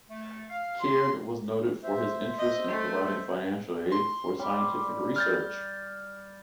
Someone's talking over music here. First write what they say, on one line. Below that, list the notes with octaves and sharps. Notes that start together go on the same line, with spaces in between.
Caird was noted for his interest in providing financial aid for scientific research.
A3
F5
C6
C5 E5
D#5
A3
C6
G3 D5
F6 G6 A6